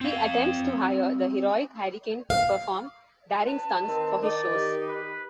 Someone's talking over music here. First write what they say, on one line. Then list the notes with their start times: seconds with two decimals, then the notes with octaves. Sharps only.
He attempts to hire the heroic Hurricane to perform daring stunts for his shows.
0.01 C4 F5
2.30 F5
3.47 B4 A5
3.88 D#3 C4
4.23 D#4 D5
4.53 G4
4.88 B4